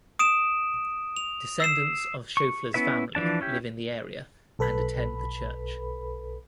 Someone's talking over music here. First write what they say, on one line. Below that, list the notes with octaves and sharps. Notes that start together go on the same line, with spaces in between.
Descendants of Schoeffler's family live in the area and attend the church.
D#6 D7 E7
F7
E6 C7 E7
C#6
B3 C#4 E4 B4 E5
E3 F3 D4 A5
C#4 E4 G4
B1 A4 B4 B5